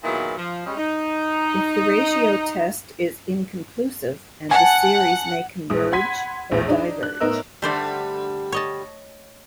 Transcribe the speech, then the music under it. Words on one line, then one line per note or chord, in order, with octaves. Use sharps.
If the ratio test is inconclusive, and the series may converge or diverge.
E2 A#2 D#3 F#3 B3 E4
F3
G3 G#3 C#4
D#4
F#5 G#5 A5
A#1 G#3 D#6
F#5 B5 C6 G#6 B6 D#7
A#1 E2 A2
D4 D#4
D4 F#6
A2 B3 D#4 A#4 D#5 E6
D3 G3 A3 C5 D5
C#5 D#5 A5